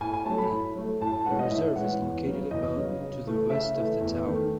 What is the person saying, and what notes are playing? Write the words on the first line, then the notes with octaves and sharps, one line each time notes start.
The reserve is located about to the west of the town.
A2 G#5
G#5
F#3 A3 A5
B5
A2
F#3 A3
A2 A5
A5
E3 G#3 C#4 F#5
D#5
A2 E5
E3 G#3 C#4 F#5
E2
C#3 F#3
E2 D#5
C#3 F#3
C#3
E3 A3
C#3 E5
E3 A3
E2
D#3 A3